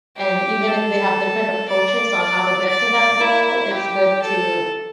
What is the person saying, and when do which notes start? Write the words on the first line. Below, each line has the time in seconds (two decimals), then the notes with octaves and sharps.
and even if they have different approaches on how to get to that goal, it's good to
0.17 G4
0.67 A4
1.69 D5
2.70 D5
3.21 E4
3.71 G4
4.22 A4